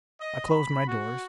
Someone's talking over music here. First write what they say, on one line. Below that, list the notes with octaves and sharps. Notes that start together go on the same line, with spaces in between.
I closed my doors.
D#5
B5
F#4